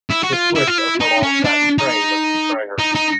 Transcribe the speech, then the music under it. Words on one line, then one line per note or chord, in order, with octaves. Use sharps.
The swish of her long satin train must betray her.
E4
F#4
F4
E4
F4
E4
D#4
C#4
D4
D#4
D#4
D#4